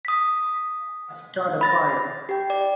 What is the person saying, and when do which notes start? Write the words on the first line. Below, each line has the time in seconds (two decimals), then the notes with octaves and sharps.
Start a Fire.
0.05 D#6 B6
1.61 B5 A6 A#6
2.29 G4 G5
2.50 D5